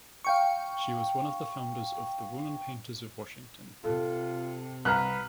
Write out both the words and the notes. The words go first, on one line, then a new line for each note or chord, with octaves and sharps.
She was one of the founders of the Women Painters of Washington.
F5 G5 C#6
C3 F4 A4
C2 B4 A#5 F6 F#6